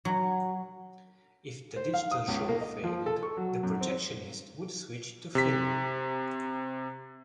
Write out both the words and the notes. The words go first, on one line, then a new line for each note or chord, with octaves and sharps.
If the digital show failed the projectionist would switch to film.
F#3
C5
F5
D#6
C#2
A#3
D#5
F3
A4
C#6
F#3
F#2
C4
C3 B6